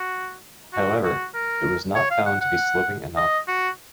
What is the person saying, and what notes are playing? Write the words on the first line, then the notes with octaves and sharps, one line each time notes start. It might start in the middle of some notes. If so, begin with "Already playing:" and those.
However, it was not found to be sloping enough.
Already playing: F#4
F#4
F#4
A#4
C#5
F5
F#5
F#5
D#5
F#4